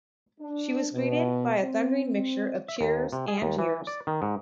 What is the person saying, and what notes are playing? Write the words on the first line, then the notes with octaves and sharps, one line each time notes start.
She was greeted by a thundering mixture of cheers and jeers.
D4
B2
C4
E5
D#2
C3
G#4
D#2
E3
D5
D#3
G#2